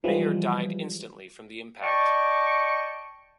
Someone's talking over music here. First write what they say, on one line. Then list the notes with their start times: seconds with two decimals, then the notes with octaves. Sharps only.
Mayer died instantly from the impact.
0.04 E3 F3 G3 G#3
1.82 D5 D#5 G5 A5 C#6